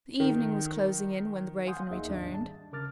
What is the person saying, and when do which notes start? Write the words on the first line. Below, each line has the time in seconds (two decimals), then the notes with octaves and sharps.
The evening was closing in when the Raven returned.
0.20 D#3
1.66 F5 F#5 G#5 C6 D#6 G6
1.90 D#2 A#3 D#4 G#4 D#5 E5
2.08 D#2 G#2 G3 D4
2.34 A5
2.72 C#3 A#4 D6 F6 A6